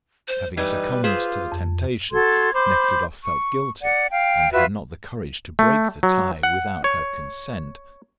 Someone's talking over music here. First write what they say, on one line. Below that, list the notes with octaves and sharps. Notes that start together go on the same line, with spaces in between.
Having succumbed to the temptation, Nekhludoff felt guilty, and had not the courage to break the tie without her consent.
C5
E3 G3 D#4 B4
F4 G4 G#4 C5
F2
F#4 A4 C6 G#6
C5 B5 D6 G6
C#6
D5 F#5
F5 G5
F4 F#4 B4 E5
A3
F#3
F#5
C#5